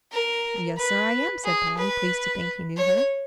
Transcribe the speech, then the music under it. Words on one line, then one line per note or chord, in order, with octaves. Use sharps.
"Yes, sir, I am," said Polly, pleased to think he knew her.
A#4
B4
G#4
B4
C#5